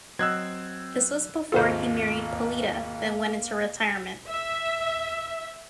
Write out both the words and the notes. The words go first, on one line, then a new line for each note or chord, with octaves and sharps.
This was before he married Polita then went into retirement.
F#3 C4 D#5 E6 F#6 G#6
G#1 D#2 A#3 F4 A4 C5
E5